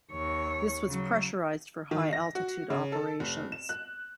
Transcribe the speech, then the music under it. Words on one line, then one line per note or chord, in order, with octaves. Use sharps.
This was pressurised for high-altitude operations.
D#2 C#5
C#3 F#3
D#3
A#6
F#4
C#3
A4
F1
E7
F#6